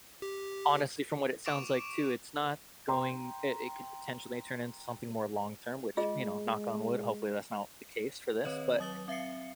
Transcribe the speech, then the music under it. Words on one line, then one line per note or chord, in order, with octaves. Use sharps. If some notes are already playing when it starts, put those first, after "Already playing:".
honestly, from what it sounds like, too, it's not going it it could potentially turn into something more long-term, which, you know, knock on wood, hopefully that's not the case for this, but,
G4
C#6 D6 D7 E7 F7
G5 A#5 C6
G#3 F4 G#4 D#5
D#3 C4 B4 C#5 D#5 F#7
F#3 D#6 A6 F#7 G7
C4 E5 F5 C7 C#7